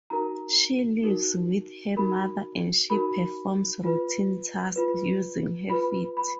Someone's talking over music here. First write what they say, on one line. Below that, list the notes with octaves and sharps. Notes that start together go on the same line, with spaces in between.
She lives with her mother and she performs routine tasks using her feet.
D#4 F#4 A#4 A#5
D#4 F#4 A#4
D#4 F#4 A#4 B5
D#4 F#4 A#4 B5
F4 B4
F4 B4
F4 B4 B5
B5